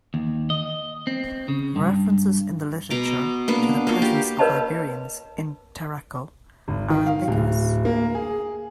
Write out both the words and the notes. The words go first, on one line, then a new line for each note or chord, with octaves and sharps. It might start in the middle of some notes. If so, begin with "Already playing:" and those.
References in the literature to the presence of Iberians in Tarraco are ambiguous.
D#2
D#5
C4
C#3
G2
B2 A#5 D6
A#3 B3 D4
A#3 F4 F#4
G4
A#4 B4 C#5 D#5 A5 B5
G#1
D#3
F5
D1
A#3
G#4